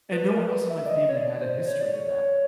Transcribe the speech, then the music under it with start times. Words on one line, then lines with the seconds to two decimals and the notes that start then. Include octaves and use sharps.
And no one else in my family had a history of that.
0.12 B4
0.32 A#4
0.50 B4
0.71 E5
0.86 D5
0.89 D#5
1.09 C#5
1.16 D5
1.42 C5
1.67 C#5
1.81 D5
1.93 C#5